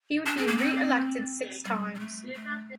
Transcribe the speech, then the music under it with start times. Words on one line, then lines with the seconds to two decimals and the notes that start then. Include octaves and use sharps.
He would be re-elected six times.
0.26 D4
0.37 C4
0.47 A#3
0.58 C4
1.65 G3
1.95 G3
2.00 A3
2.34 A3